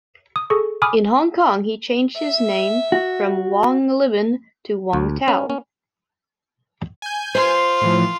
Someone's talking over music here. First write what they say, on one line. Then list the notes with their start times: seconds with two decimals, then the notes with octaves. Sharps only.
In Hong Kong, he changed his name from Wang Libin to Wang Tao.
0.36 D#6
0.50 G#4 A4 C#6
0.82 G#5 B5 D6 D#6 F6
2.17 E5
2.92 F#4
4.93 D2
5.28 C#4
5.50 C#4
7.02 G#5 G6
7.35 F4 C5
7.81 A2 E3 F3